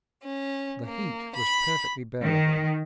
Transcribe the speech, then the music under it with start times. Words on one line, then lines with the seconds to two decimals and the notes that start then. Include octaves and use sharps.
The heat was perfectly bearable.
0.23 C#4
0.85 A#3
1.36 B5
2.24 D#3